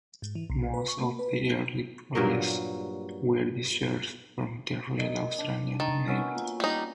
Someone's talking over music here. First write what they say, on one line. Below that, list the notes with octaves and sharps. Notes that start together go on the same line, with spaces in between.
Most of the early employees were discharged from the Royal Australian Navy.
G#2
E3
B1
B4
C#6
A#3
B4
C4
G2 A#2 F#3 A#4
A#4 D5 D#5
D4
D#3 A6
B3 C#4 F#4 F#5 E6 F6
A#3 F4
G3 D#4